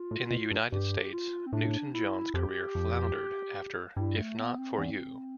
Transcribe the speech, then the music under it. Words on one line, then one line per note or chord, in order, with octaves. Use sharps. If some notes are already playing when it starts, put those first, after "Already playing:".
In the United States, Newton-John's career floundered after If Not For You.
Already playing: F4
A2
B2
G2
G2 G4
F4
C4
A2 D4
E4
F2 G4
F2
G2 E4
A3
B3
C4
E2